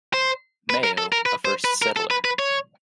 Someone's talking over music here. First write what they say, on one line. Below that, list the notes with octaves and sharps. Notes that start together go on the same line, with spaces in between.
Mayo, a first settler.
C5
B4
A#4
A4
A#4
B4
C5
B4
A#4
A4
B4
B4
C#5